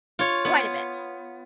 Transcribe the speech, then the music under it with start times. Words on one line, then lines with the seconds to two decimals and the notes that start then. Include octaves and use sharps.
quite a bit.
0.19 F4 C#5
0.45 B3